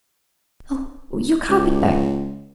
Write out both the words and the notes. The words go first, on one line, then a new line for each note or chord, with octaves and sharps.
Oh! your carpet-bag.
C#2